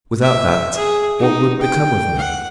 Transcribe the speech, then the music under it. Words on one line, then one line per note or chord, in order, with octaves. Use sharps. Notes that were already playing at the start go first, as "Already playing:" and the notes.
"Without that, what would become of me?"
E5
G#4
D#4
G5
F#5